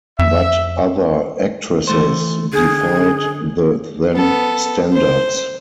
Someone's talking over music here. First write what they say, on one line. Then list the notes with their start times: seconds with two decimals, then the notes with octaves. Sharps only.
But other actresses defied the then standards.
0.19 F2 E5
1.87 E3 A3 C5
2.53 D3 G#4
4.13 B3 A4
4.93 C5